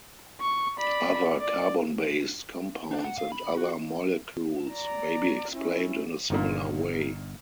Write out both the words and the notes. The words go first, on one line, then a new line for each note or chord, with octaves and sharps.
Other carbon based compounds and other molecules may be explained in a similar way.
C#6
D5 B5
D5
D4 D#4
F#5
F5
B5
F#4
D5 A#5
C#4 E4
G1 A#2 D3 D#3